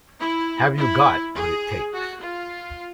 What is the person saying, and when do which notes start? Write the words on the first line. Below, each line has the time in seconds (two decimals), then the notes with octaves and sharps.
Have you got what it takes?
0.20 E4
0.77 E4
1.36 G#4
1.93 F#4
2.22 F4